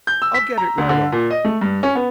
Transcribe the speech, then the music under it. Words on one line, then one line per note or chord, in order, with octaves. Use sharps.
I'll get it right off.
G6
E6
B6
A#5
D2
D3
A#2
D#5
A3
G2
C#4
B3